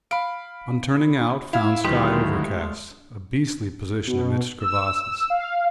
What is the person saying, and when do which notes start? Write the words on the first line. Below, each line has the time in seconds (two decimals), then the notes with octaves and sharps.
On turning out found sky overcast; a beastly position amidst crevasses.
0.11 F5 B5 D7
1.53 E4 F5 G#5 E6
1.85 D2 D#3 F#3 G#3 A3 F4 G4 B4
4.07 B2
4.60 E6
5.30 F5